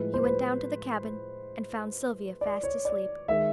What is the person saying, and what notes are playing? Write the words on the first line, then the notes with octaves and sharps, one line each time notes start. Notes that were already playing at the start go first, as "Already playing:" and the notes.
He went down to the cabin, and found Sylvia fast asleep.
Already playing: A2 F3 G#3 B4
C5
B4
D5
C#5
D5
D#3 G#3 E5